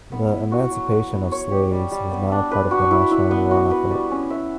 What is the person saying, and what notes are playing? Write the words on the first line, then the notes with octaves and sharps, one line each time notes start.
The emancipation of slaves was now part of the national war effort.
B3
E4
F#4
F#3
F#4
B3
C#5
G4
G3
G3
B3
D4
B4
F#4
E4
E4
B3
F#4
B4
G3
C#4
E5